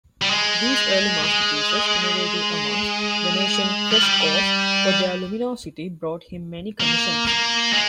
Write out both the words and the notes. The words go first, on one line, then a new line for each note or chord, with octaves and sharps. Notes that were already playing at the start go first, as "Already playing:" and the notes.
These early masterpieces, innovative amongst Venetian frescoes for their luminosity, brought him many commissions.
G3
G#3
G#3
F3
G3
A#3
A#3
G#3